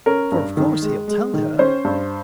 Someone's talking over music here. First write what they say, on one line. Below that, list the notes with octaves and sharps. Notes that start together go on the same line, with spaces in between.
For of course he'll tell her.
C#4 A#4
G2
D#3
G#3
G#3
D#3
C#4 C5
G2